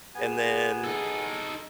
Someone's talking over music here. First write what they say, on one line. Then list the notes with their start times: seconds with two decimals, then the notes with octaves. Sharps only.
and then
0.15 B3 G4 G#4 G#5
0.84 D#4 A4